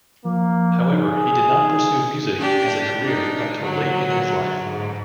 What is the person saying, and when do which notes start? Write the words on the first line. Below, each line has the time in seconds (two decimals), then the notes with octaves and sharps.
However he did not pursue music as a career until late in his life.
0.25 F3 A#3
0.92 D#4 G#4
2.39 D4 G4
3.02 D4 D#4
3.61 D3 F#3
4.64 G#2